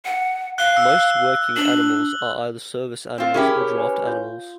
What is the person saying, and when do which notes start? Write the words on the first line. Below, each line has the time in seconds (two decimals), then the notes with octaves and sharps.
Most working animals are either service animals or draft animals.
0.05 F#5
0.58 F5 F#6 G7
0.77 E6
1.56 D4 F#7
3.18 C4 F4
3.34 C#4 E4 G4 G#4 A#4
3.61 C#5
3.78 B4 C#5 G#5
4.07 F4 G6